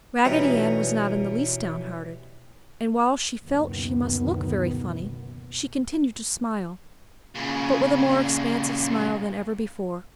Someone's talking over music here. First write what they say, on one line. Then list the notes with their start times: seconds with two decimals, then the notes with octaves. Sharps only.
Raggedy Ann was not in the least downhearted and while she felt she must look very funny she continued to smile, but with a more expansive smile than ever before.
0.25 B2 E3 G3 C#4 D#4
3.44 F#1 D2 B2 D#3 B3
7.35 A#2 C#3